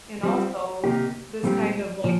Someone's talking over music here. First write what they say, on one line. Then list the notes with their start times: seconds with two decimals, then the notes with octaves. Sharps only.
And also, this kind of, like
0.23 G3 C4 F4
0.84 C3 D#3 A#3 D#4 G4
1.44 A#2 G3 C4 D#4 G4
2.04 A#2 F3